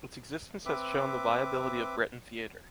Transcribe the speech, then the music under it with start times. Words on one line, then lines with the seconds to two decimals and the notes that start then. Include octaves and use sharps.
Its existence has shown the viability of Breton theater.
0.66 C4 B4 E5 D6